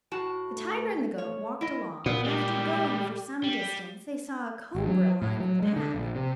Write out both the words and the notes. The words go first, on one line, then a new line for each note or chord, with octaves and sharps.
The tiger and the goat walked along and after going for some distance they saw a cobra lying in the path.
A2 F#4 A5
A3
C#5
E4 D#5
A#2 B3
G3 G#3 G4
G3
G#1
F#3
A2
F#3
G#3
D3
A#1
C3